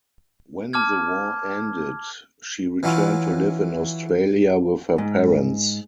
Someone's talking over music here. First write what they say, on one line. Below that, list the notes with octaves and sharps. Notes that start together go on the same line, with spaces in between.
When the war ended, she returned to live in Australia with her parents.
A5 D6 F6 G#6
E3 F#3 C#4 E4 F4
G#2